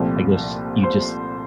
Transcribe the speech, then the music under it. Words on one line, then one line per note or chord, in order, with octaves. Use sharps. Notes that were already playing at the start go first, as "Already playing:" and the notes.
I guess you just
Already playing: C2 A#2 F3 A3 C4
C5